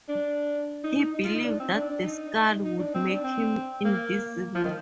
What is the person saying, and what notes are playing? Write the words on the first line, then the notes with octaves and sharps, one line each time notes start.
He believed that the skull would make him invisible.
D4
D#4
D#4
D#4
F4
D#4
D4
C4
D4
D4
D#4
D#4
D4
C4
D4
C4
A#3
F3
D#3